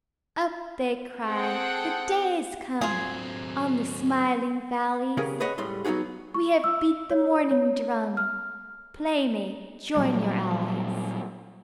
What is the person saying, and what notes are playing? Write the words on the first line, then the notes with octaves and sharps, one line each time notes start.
"Up!" they cry, "the day is come On the smiling valleys: We have beat the morning drum; Playmate, join your allies!"
C4 G#4 A4 F#5 G5 C#7
F#3 C4 F4 G#4
C#3 C#4 G4 G#4 A#4
G#4 B4 C#5 D#5 F#5
A2 G3 G#3 C6
F#3 B3 D#4 F#4 G#4
C#6
E6
C#5
C#5
F6
A#2 F#3 G3